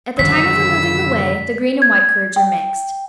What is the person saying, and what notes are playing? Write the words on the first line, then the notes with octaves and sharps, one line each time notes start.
At the time of removing the whey the green and white curds are mixed.
F#2 D3 D#3 E6 B6
G#6
G5